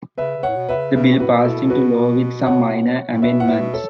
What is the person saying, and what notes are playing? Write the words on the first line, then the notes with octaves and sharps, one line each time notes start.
The Bill passed into law with some minor amendments.
C#3 B4 E5
C#3
A2 C#5 F#5
B2
B2 B4 E5
C#3
C#3 B4 E5
B2
A2 F#4 B4
B2
E4 A4
F#4 B4
C#5 F#5
A2
B2 B4 E5
A2 F#5
B4 E5
B2
A4 C#5